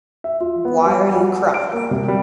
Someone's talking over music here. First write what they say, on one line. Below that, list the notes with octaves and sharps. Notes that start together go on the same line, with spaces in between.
Why are you crying?
E5
F4
B3
G3
F#4
D7
A#3
C3
G3